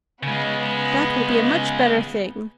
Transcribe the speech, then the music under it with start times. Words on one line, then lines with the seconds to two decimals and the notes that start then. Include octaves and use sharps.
That will be a much better thing.
0.23 C#3 G#3 B3